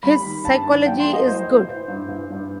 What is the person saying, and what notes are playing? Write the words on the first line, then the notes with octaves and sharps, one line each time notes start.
His psychology is good.
G3 B5
D#3
G2 A5
D#3
F#2 G5
C6
A3
D#5
E4 C5
E4
E3
G2
E3
G2